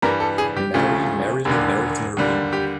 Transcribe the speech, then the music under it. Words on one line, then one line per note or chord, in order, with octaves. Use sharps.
Mary merrily married Marie.
G2 E3 G3 A#4
A4
G#4
G4
D2 C#3 F3 A3
E1 D#2 D3
D#2 D3 G3
G4